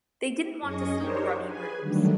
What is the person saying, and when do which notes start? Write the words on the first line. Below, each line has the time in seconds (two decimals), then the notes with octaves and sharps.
They didn't want to see grubby rooms.
0.62 F#2 C#4 G#4 D#5 C#6 D#6
0.94 D4 D#4 G4 A#4 C5 C#5
1.43 G#4 B4 G#5
1.81 D3 D#3 F#3 G3 A3 D4